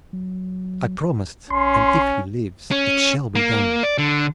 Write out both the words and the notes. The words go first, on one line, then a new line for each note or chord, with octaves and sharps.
I promised, and if he lives, it shall be done.
F#3
A#1 C#4 C6
C#4
A#3
D5
D3